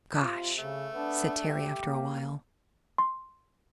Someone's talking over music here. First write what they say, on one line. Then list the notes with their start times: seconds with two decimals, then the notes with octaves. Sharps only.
"Gosh!" said Terry, after a while.
0.20 C3 F4
0.59 C#3 A3
0.94 B3 D4
1.44 G4
1.85 A#3
2.98 C6